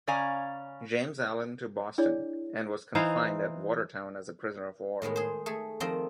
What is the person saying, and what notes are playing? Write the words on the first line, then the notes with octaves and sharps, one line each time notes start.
James Allen to Boston, and was confined at Watertown as a prisoner of war.
C#3 C#4 D5 F5 G#5 A#5
D4 E4 G#4 C#5 D5
E3 D#4 C5 F5
A2 D#3 G#3 B3
G#4 C5
A3 G#4
D#3 F3 C4 D#5